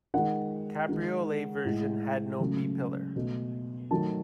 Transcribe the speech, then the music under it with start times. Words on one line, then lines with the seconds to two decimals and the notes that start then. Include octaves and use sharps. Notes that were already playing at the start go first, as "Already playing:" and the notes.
Cabriolet version had no B-pillar.
0.14 D#3 G#3 F#5
0.89 D#3 G#3
1.65 A2 G#3
2.40 C#3 F#3 A3
3.16 B2 A3
3.91 D#3 F#3 A3 A5